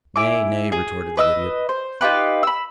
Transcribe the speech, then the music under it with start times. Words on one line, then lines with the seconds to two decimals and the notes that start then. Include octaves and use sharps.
"Nay, nay," retorted the Idiot.
0.16 E4 G#5 D6
0.72 G#4
1.17 B4 D#5 E6
1.69 C5
2.01 D#4 F4 G4 B4
2.43 B5 E6